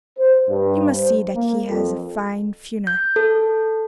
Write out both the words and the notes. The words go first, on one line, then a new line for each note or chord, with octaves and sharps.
You must see that he has a fine funeral.'
C5
G2
C5
A#3
F2
G6
A4